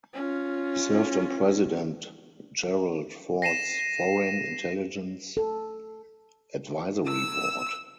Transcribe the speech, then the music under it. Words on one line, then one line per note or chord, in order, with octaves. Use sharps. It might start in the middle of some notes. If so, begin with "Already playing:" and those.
He served on President Gerald Ford's Foreign Intelligence Advisory Board.
C#4 F4
A#6 C7 D#7 E7
A4
E6